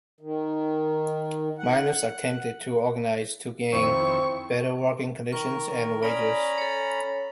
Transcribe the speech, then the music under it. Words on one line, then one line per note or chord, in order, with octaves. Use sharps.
Miners attempted to organize to gain better working conditions and wages.
D#3
F#5
F2 D#3 C4 E4 C#6
D#3 A#4 C#6
C#4 D5 A#5 B5 D#6
A4 C#5